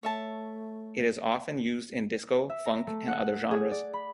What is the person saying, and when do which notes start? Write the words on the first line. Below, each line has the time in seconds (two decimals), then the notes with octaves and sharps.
It is often used in disco, funk, and other genres.
0.03 A3 C#5 E5 A5
2.50 E5
2.66 A#5
2.87 A3
3.08 F#5
3.51 G#4
3.71 D5
3.93 B5